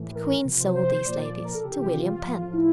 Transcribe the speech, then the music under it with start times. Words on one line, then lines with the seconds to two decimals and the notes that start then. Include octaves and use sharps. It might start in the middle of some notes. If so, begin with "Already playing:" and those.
The queen sold these ladies to William Penn.
Already playing: A2 E3
0.15 A#4
0.45 C3 F3
0.60 C5
0.75 C5
1.05 A#2 F3 D5
1.35 D5
1.45 A#4
1.54 A4
1.64 C3 E3 G4
1.94 F4
2.24 A2 F3
2.53 E4